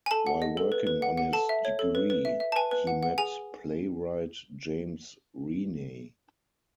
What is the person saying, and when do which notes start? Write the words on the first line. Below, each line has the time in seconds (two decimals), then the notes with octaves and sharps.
While working on his degree, he met playwright James Reaney.
0.06 G#5
0.11 A4 A5
0.27 F#5
0.42 D#5
0.57 A4
0.72 B4
0.87 B4
1.02 F#5
1.17 F#5
1.33 A4 A5
1.49 E5
1.65 C#5
1.79 A4
1.95 B4
2.10 B4
2.25 E5
2.40 E5
2.52 A5
2.56 B4 G#5
2.71 B4
2.87 F#5
3.03 F#5
3.18 G#4 G#5